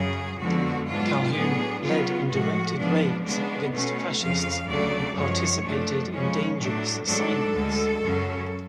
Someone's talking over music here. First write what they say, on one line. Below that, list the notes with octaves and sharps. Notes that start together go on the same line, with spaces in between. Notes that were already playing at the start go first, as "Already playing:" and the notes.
Calhoun led and directed raids against fascists and participated in dangerous assignments.
Already playing: F#2 C#3 F#3 G#4
F2 D3 F3 G#3 B3 F#4
G#2 F#3 B3 D4 F4
A2 F#3 B3 D4 G#4
C#3 F#3 B3 F4
A2 F3 G#3 F#4
G#2 F3 B3 D4
C#3 G#3 B3 D4
B2 A3 C#4
F2 C#3 F3 F5
D2 C#3 F#3 A3 D4 D5
F#2 F3 G#3 C#5
F#2 F3 A3 D4
C#3 F3 G#3 C#4
A2 F#3 A3 D4
G#2 F#3 A3 D4 A4
D2 D3 G#3
F#2 C#3 F#3 C#4